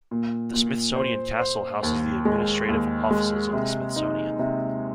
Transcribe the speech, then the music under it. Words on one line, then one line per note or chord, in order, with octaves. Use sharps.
The Smithsonian Castle houses the administrative offices of the Smithsonian.
A#2
A#2
C5
C5
D#2
G#3
D#2
G#3
C3
D#4
C3